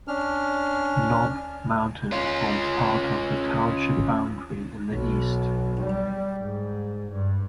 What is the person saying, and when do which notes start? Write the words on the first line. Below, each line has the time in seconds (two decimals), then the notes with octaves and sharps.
Knob Mountain forms part of the township boundary in the east.
0.08 C#4 D4 F6
2.12 C#4 F4
4.91 B1
5.82 G3
6.41 G#2
7.12 G2